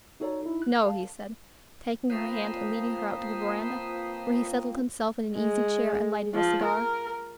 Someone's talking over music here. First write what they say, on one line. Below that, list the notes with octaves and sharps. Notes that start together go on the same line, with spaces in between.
"No," he said, taking her hand and leading her out to the veranda, where he settled himself in an easy-chair and lighted a cigar.
D#4 F#4 A4 C#5 D5 A#5
D#4 E4
F#6
A4 F5 A5
F3 A#3 C4 F4 B4 C5 A#5 D#6
G#3
F3
A#4